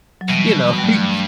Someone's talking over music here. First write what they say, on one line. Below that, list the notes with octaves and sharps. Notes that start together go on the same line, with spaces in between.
you know, he
F#3
B2 E3 G3
G3
G2 F#3 A3